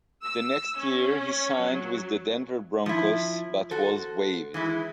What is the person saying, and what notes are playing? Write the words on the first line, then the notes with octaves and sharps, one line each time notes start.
The next year he signed with the Denver Broncos but was waived.
E6
C#4
F#3
F3 E4
F#4 A4 C5
E3 G#3 E4